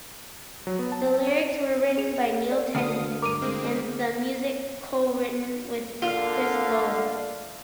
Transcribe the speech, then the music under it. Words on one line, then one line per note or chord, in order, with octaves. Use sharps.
The lyrics were written by Neil Tennant and the music co-written with Chris Lowe.
F#3
B3
A5
A5
C#5
G#4 F7
D5
D2 F5 D#6
G2 A#4 D6 D#7
G#3 A#3 C4
D3 A#3 F4 F5